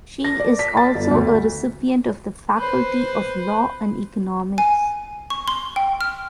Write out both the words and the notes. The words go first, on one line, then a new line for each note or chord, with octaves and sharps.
She is also a recipient of the Faculty of Law and Economics.
A#6
D5
B6
A6
G1
D2
B4 C5
G#5
C#6
C6
G5
F6